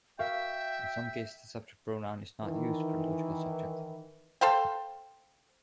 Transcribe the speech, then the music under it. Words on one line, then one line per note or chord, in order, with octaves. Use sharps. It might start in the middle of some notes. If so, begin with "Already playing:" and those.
In some cases, the subject pronoun is not used for the logical subject.
F#4 A#4 E5 F5 G5
D#3 E3
A4 C5 F5 G5